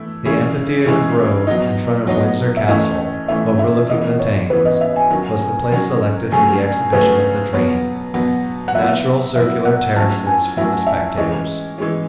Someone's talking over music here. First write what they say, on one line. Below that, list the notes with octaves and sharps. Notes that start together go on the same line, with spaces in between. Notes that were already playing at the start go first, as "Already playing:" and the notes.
The amphitheater grove in front of Windsor Castle, overlooking the Thames, was the place selected for the exhibition of the "Dream." Natural circular terraces for the spectators.
Already playing: E3 A3 E4
C#3 E3 G#3 C#4 E4
C#3 E3 G#3 C#4 E4
F#3 B3 D#4 D#5
F#3 B3 D#4 C#5
E5
A2 E3 A3 C#4 D#5
A2 E3 A3 C#4 E5
E5
C#3 E3 B3 D#5
C#5
C#3 E3 B3 B4
D#5
E5
G#5
D#3 F#3 C#4
D#3 F#3 C#4
C#3 F#3 A3 C#4 G#5
C#3 F#3 A3 C#4 B4
B2 F#3 B3 C#5
B2 F#3 B3
F#5
F#3 B3 E4 E5
F#3 B3 E4 E5
F#5
A2 F#3 C#4 E4 A5
G#5
A2 F#3 C#4 E4 E5
E5
E3 G#3 C#4 D#5
E3 G#3 C#4